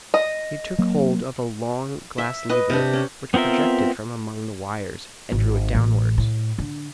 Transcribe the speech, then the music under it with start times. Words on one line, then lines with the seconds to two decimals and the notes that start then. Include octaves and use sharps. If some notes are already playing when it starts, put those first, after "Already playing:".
He took hold of a long glass lever which projected from among the wires, and drew it downwards.
0.14 D#5
0.78 F#3 A#3
2.18 E5
2.49 B4 D#5
2.70 C3 D4
2.93 C#4
3.34 B3 C4 F4 A#4 E5
5.32 G#1
5.75 A1
6.18 A2
6.58 D3